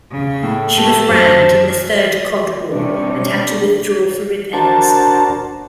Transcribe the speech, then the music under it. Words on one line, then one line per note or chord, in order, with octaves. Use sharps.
She was rammed in the Third Cod War and had to withdraw for repairs.
C#3
A2
A3 G4 A5 F7
F#2 C5
C3 G3 C#4 D4
D4 F#4 A#4 C5 A5